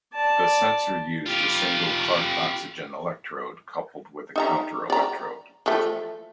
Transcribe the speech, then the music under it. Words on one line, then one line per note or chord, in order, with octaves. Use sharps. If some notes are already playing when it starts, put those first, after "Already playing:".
This sensor used a single Clark oxygen electrode coupled with a counter-electrode.
D5 A5
F4 G4
D#4 E5 A#5
D5 A#5
E3 F3 A3